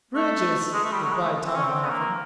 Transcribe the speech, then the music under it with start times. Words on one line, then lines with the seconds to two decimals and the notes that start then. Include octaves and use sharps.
"Bridges," replied Tom, laughing.
0.15 A3
0.73 G#3
0.84 A3
0.93 G3
1.03 F#3
1.13 G#3
1.22 A3
1.46 C4
1.55 C#4
1.64 C4
1.84 B3
1.89 A#3